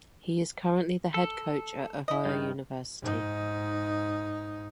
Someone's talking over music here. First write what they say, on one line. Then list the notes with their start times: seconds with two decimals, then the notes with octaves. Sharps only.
He is currently the head coach at Ohio University.
1.14 A4
2.08 E4 D#5
2.25 G2 D#3
3.01 G#2 D#4